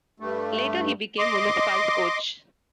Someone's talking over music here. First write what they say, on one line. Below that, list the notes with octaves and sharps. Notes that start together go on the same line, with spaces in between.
Later, he became Municipal's coach.
G2 A3
D#5 C6 D6